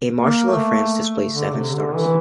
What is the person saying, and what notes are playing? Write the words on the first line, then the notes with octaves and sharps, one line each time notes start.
A Marshal of France displays seven stars.
A#3
A3
D3
C3
D3
E3